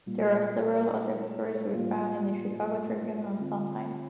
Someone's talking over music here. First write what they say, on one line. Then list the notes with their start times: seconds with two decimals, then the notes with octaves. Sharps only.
There are several other stories to be found in the Chicago Tribune and Sun-Times.
0.06 A#2 G3 A#3 F4
1.74 A2 G3 A#3 F4
3.40 D3 A3 C4 F4